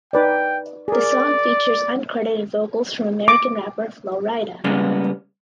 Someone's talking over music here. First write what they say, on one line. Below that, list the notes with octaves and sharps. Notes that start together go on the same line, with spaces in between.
The song features uncredited vocals from American rapper Flo Rida.
D#4 B4 D5 G5
G#4 A#4 D5
D6
C#3 G3 G#3 A#3 B3 C#4